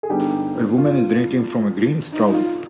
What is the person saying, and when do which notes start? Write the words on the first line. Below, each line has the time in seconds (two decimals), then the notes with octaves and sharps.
A woman is drinking from a green straw.
0.03 G#4
0.10 G2 D3 G3 B3 D#4 G4
0.78 F4
2.12 D#4
2.29 D#4
2.34 F4